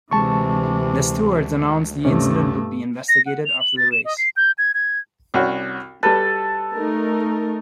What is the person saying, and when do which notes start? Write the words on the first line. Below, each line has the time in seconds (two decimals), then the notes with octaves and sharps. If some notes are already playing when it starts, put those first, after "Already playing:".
The stewards announced the incident would be investigated after the race.
0.11 D2 C3 E3 G#3 A5 C#6
2.05 G2 C3 A3 C#4
3.09 A#6
3.26 F#5
3.45 F7
3.61 F#7
3.77 A6
3.92 E7
4.05 D#5
4.18 C7
4.36 G6
4.58 G#6
4.74 G#6
5.34 C2 C#4 F#4
6.03 G3 A4 B4
6.74 A3 D#4 A#4